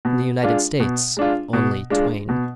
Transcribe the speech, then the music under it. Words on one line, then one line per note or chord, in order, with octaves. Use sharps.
In the United States, only Twain.
B2
G#3 D4 F4
B2
G#3 D4 F4
B2
G#3 D4 F4
B2